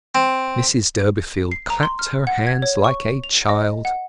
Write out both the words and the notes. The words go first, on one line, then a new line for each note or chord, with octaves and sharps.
Mrs Durbeyfield clapped her hands like a child.
C4
C7
A#5
C6
F6
F#5
G#6
C#5
C#6
F7
D#5
F#5